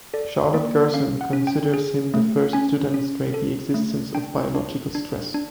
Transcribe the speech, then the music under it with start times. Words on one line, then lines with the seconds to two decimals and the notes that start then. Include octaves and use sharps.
Charlotte Gerson considers him the first to demonstrate the existence of biological stress.
0.14 A4 D5
0.54 A#3 D5
0.94 C#4 F5
1.21 F#5
1.33 C#4
1.47 G5
1.74 G#4
2.14 A3
2.53 C#4 G#5
2.94 C#4
3.34 A4
3.74 A3
4.14 D4 G5
4.55 D4
4.95 D4
5.34 D4